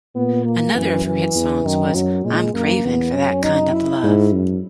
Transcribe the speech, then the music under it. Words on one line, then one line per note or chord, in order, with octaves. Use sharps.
Another of her hit songs was "I'm Cravin' for that Kind of Love".
A#2 B3
A#3
F#2 E3
E3
E2
F#2 D#3
F#2 F#3
A#2 G#3
F#2 A#3
E2 B3
F#2 C#4
D#4
E4
G#2
F#2